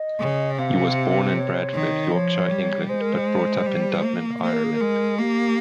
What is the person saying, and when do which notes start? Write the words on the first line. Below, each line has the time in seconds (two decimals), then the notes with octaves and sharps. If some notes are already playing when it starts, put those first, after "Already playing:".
He was born in Bradford, Yorkshire, England, but brought up in Dublin, Ireland.
Already playing: D#5
0.20 C#3
0.58 C3 F5
1.35 C#5
1.74 D#3
2.12 F3 C#5
2.50 G3
2.88 G#3 C5
3.01 A#4
3.13 C5
3.66 G3
4.04 A#3
4.42 A#3 C5
4.53 A#4
4.64 G#4
4.74 A#4
4.80 G#3
5.19 A#3 G4